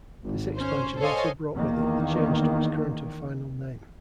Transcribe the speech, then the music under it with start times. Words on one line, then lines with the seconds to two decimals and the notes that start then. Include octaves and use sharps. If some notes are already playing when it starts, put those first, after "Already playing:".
This expansion also brought with it the change to its current and final name.
0.25 G#1
0.56 C#4 C5
0.99 A4 C5 C#5 D#5 F5 G#5
1.54 E2 D#3 A#3